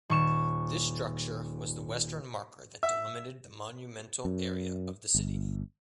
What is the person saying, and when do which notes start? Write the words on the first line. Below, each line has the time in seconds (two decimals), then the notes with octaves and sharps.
This structure was the western marker that delimited the monumental area of the city.
0.10 D#1 C#6 E7
2.83 E5
4.25 F#2
5.15 G1